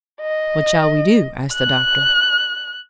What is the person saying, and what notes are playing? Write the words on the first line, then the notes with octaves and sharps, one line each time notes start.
"What shall we do?" asked the doctor.
D#5
F#6